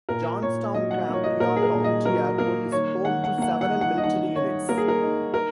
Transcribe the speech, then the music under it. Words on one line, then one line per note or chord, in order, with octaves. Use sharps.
Johnstown-Cambria County Airport is home to several military units.
A#2 A#4
A#2 C#5
F#3 D#5
F#5
A#3
C#5
D#5
A#2 A#4
G#4
A#4
A#2
D#5
F#3 A#4
A#3 A#4
D#3 C#5
D#3 F#5
F#5
A#3 F#5
F#5
D#4
F#5
D#5
D#3 F#5
D#3 C#5
A#3 A#4
G#4
A#4
D#4
A#4